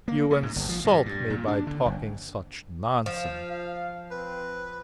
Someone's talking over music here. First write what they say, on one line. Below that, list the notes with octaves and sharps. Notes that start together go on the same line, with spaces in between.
'You insult me by talking such nonsense!'
A#3
C#3
G#2
G1
F3
G2
G2
A#2
D4
D3
F#1
F3 F5
F5
C4 B4